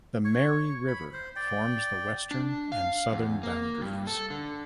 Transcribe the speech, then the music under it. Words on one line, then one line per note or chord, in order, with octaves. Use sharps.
The "Mary River" forms the western and southern boundaries.
C#5 C#6
B5
C5
D5 G5
D4
F5
E2
A#3
G2
A4
D3